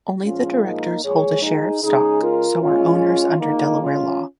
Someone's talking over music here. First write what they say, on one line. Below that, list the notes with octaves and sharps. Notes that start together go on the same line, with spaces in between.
Only the directors hold a share of stock, so are owners under Delaware law.
A#2 F3 G#3 C#4 F4
A#3 D#4
A#2 F3 G#3 G#4 C#5
D#4 G#4
C#3 G#3 D#4 G#4
F4 A#4
A#2 G#3 C#4 F4
A#2 G#3 A#3 D#4
C#4 F4